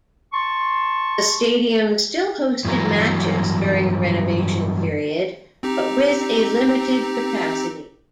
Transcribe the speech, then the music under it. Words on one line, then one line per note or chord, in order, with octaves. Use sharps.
The stadium still hosted matches during the renovation period, but with a limited capacity.
A5 C6 C#6
G2 E3 F#3 A#4
C4 D#4 G4